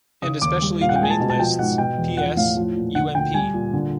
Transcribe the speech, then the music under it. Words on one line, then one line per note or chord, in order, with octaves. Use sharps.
And especially the main lists: PS, UMP.
C#3 D#6
D#2 D6
G3
A#2 F5
F#5
G5
G#3 G#5
A5
B2
A5
F3 G5
G#2 F#5
B2 G5
E2
F3 F#5
A2 F5
F3
A#2
D3 F#5
D2 G5
G3 G#5
A#2
D3